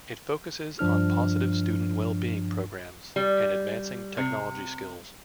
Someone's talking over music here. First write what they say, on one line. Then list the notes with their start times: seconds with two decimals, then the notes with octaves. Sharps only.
It focuses on positive student well being programs and advancing technology skills.
0.79 G2 F3 D4 F6
3.16 G3
4.17 C3